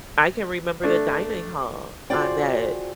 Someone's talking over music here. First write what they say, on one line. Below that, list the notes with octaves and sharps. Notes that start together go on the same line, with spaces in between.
I can remember the dining hall on that
A3 D4
F4 F#4 G#4 C5 D5 G5